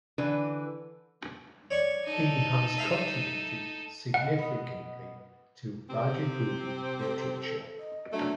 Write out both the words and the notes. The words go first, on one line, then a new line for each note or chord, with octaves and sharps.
He has contributed significantly to Bhojpuri Literature.
D3 E3 B4
C#5 D5 C#6
D#4 A4
E5 F5 A#5
B2 F#5
B3 D#5
C3 C4
A4
D#5
F#3 A3 D4